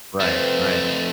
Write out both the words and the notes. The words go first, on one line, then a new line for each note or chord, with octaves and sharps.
Right, right.
F2 A3 C4 B4 C6